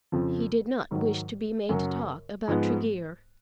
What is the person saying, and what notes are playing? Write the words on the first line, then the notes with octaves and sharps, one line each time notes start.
He did not wish to be made to talk about Tregear.
F2 C#3 F3
G#2 D#3 F#3
F#2 C#3 F#3
G#2 F3 G#3 B3